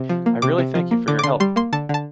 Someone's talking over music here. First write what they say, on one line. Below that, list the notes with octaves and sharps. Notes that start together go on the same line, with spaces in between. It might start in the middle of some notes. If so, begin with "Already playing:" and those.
I really thank you for your help.
Already playing: C3
F3
A#3
C3 D6
C3
F3
A#3
D3 D6
D6
D3 C6
G3 C6
A#3 C6
D3 A5
D3 A5